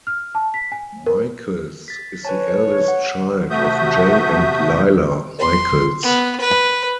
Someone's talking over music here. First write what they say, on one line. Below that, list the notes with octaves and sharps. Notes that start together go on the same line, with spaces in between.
Michaels is the eldest child of Jay and Lila Michaels.
F6
A5
B6
G#5
A#4
A6 B6
B4 C#5 G#5 A5
F#5
C3 A3 F#4 E5 D#6 G6
C6
B3
B4